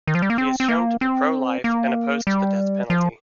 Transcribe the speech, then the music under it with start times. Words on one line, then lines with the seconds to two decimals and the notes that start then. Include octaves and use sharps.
He is shown to be pro-life and opposed to the death penalty.
0.07 D#3
0.15 F3
0.22 G3
0.30 A#3
0.38 C4
0.60 C4
0.68 A#3
1.01 C4
1.64 A#3
2.27 G3
2.90 F3